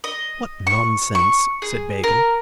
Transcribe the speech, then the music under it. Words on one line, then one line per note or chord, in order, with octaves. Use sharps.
"What nonsense," said Bacon.
D#5
C#6
C#6
G#4
A#4